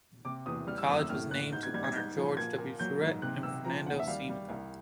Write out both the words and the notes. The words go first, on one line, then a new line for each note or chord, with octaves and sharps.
The college was named to honor George W. Truett and Fernando C. McConnell.
C3 D6
E2 D#6
G3 F6
E6
F#2 D#6
E6
A2 F6
A2 F#6
G#2 G6
G#6
G3 G#6
G#6
G#2 G6
F3
A#2 G#6
A#2
F#3 G6
G#2
C3 F#6
C3 E6
F3 A#5
D#2 F#5
E5
G3 F5
G3
C2